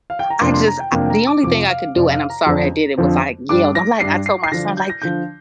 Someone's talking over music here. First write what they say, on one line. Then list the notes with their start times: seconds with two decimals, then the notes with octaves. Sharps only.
I, just, a the only thing I could do and I'm sorry I did it was, like, yelled. I'm like I told my son, like,
0.10 F5
0.19 G5
0.30 A#5
0.41 F2 C3 A#3 D4 C6
0.54 C6
0.67 A#5
0.80 G5
0.92 F2 C3 A#3 D4 G5
1.06 G5
1.10 A#5
1.27 D6
1.43 F2 C3 F3 D6
1.69 F5
1.95 F2 C3 F3 D5
2.12 F5
2.30 A#5
2.46 F2 D3 F3 C4
2.98 F2 D3 F3 C4
3.49 G2 G3 D4 D6
3.75 A#6
4.00 G2 G3 D4 C7
4.26 C7
4.44 C7
4.52 D3 F3 D4 A#6
4.77 G6
4.90 A#6
5.02 D3 F3 D4 G6